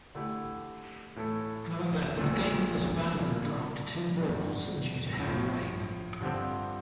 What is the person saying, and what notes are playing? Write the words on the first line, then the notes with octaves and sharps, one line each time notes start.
However, the game was abandoned after two balls due to heavy rain.
D3 A3 E4 G4
A2 E3 A3 E4 A4
A#1 A#2 A3
C3 G3 A#3 E4
F1 E2 C3 G3
A#1 A2 F3
G2 D3 F3 C4 G4